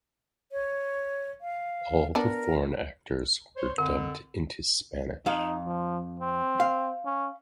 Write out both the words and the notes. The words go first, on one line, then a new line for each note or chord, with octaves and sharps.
All the foreign actors were dubbed into Spanish.
C#5
F5
B3 D4 A#4
C5 C#5
F2 D3 A#4
F2 D#4 F5
F3
C4
F5
C#4